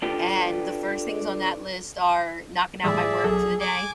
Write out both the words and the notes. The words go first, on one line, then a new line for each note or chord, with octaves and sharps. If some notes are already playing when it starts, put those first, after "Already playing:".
and the first things on that list are, knocking out my work for the day,
D4 F4 G4 A4 B4
A2 E3 G3 G#4 D5 E5
B1 F#3 G#4 A4
G#5 D6